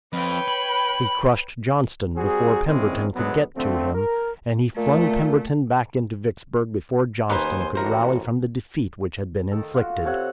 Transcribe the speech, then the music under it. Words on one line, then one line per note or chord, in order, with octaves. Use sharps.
He crushed Johnston before Pemberton could get to him, and he flung Pemberton back into Vicksburg before Johnston could rally from the defeat which had been inflicted.
F2 B4 C#5 G5
B5
G3 C4 F#4 G#4
A#2 D3 E3 G#3 C4 C#4
D2 F#3 G#3 B3
D3 F3 A3 C4
A#4
A#2 A3
D#2 D#4 B4 C5 G#5
A1 F#4 A#4 C5
D#3 A4
F4 F#4
C3 A4 C#5 F#5